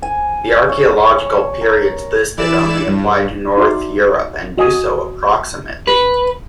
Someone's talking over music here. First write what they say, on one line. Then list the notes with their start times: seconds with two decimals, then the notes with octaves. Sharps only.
The archaeological periods listed only apply to north Europe, and do so approximately.
0.02 G#5
0.69 C#5
1.61 A#4
2.37 E3 E4 D5 E7
2.87 G2
3.58 D#4 F#4 D5 E5 C6
4.58 F#4 D#5 G#5 D#6
5.87 B4